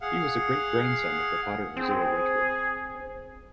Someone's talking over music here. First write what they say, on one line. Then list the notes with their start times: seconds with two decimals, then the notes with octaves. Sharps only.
He was a great-grandson of the potter Josiah Wedgwood.
0.01 G#4 F5 F#5
1.77 C4 G#4